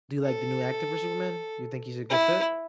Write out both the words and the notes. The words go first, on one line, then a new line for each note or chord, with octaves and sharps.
Do you like the new actor for Superman? You think he's a good fit?
A4
E4